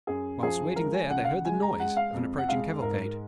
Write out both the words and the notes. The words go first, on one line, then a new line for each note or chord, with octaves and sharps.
Whilst waiting there they heard the noise of an approaching cavalcade.
F#2 G#4
F3 G#4
G#3 A#4
G#5
C#2 F#5
F5
F#5
G#3 G#5
A#5
G#3 F#5
F5
F2
F#5
G#3 F5
G#2 A#4